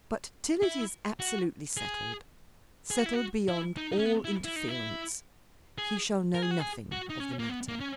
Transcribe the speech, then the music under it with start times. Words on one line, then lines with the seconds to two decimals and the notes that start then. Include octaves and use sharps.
But till it is absolutely settled--settled beyond all interference, he shall know nothing of the matter.
0.63 E4
1.20 F#4
1.77 G#4
2.91 G#4
2.99 F#4
3.06 E4
3.13 F#4
3.48 E4
3.77 D#4
3.92 D#4
3.99 C#4
4.06 B3
4.25 E4
4.44 E4
4.56 D#4
4.68 E4
5.78 G#4
6.35 A#4
6.42 G#4
6.51 F#4
6.60 G#4
6.92 F#4
7.10 D#4
7.20 C#4
7.39 A#3
7.49 B3
7.68 A#3
7.80 C#4